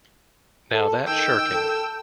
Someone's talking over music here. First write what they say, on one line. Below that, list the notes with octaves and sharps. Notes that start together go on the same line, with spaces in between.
Now, that's shirking.
A4
D#3 G5 E6
A4